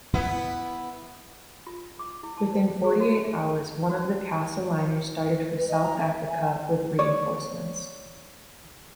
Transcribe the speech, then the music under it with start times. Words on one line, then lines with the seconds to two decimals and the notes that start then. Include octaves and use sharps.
Within forty-eight hours, one of the Castle liners started for South Africa with reinforcements.
0.14 B3 E4
1.67 F4
1.99 D6
2.23 E4
2.38 A5
2.53 C5
2.84 G#4
3.00 F#4
3.24 E5
3.89 F#4
4.03 C#4
4.29 A5
5.57 B4
5.69 D#5
5.83 A#5
5.97 E5
6.18 E5
6.30 G#5
6.99 C#5 D5